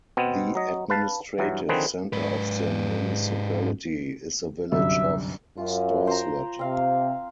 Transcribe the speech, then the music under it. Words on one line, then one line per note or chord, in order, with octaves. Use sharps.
The administrative centre of the municipality is the village of Storslett.
B2 B3 C4
F#3 D#5
B4 F5 A5
G2 E3 F#3
D3 D#3 F3 C4 G#4 B4
G#2 B4
G1 C2 F#2 E5
F#2 F4
C5 G5 A#5
C3 C4 F5